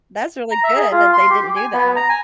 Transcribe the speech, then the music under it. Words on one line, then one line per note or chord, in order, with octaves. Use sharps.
That's really good that they didn't do that.
A#5
E5
G#4
F4
C6
G4
G#5
B3
A#5
G#5